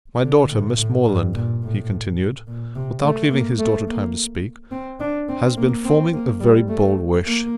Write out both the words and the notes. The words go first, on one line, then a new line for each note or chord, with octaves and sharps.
My daughter, Miss Morland," he continued, without leaving his daughter time to speak, "has been forming a very bold wish.
D3
A2
A2
G2
A#2
A2
A#2
C3
A3
A#3
A3
A#3
C4
D4
C4
A#3
C4
A#3
G3
A3
A#3